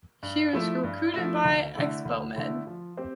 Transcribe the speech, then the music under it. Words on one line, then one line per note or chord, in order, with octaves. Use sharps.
She was recruited by Expomed.
G2
F3 A3 E4
G2
F3 A3 E4
D2
D3 A3 E4
D2
D3 A3 E4
F3
C4 G4 C5